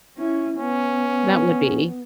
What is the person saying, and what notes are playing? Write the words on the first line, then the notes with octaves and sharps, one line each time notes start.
That would be.
C#4 E4
B3 C#4